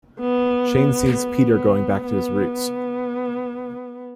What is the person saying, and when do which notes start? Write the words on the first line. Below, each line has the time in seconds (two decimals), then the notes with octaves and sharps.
Shane sees Peter going back to his roots.
0.20 B3
1.14 B3
2.07 B3